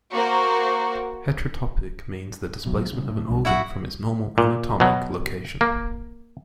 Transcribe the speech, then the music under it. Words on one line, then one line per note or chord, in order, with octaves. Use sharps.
Heterotopic means the displacement of an organ from its normal anatomic location.
A#3 F#4 A#4 C5
D1 B2 F#3
G2 C#3
A2
B1 E2 G2
A#1 F#2 A#2 E4 F#4 F#5
A#2
B2 F#3
A#3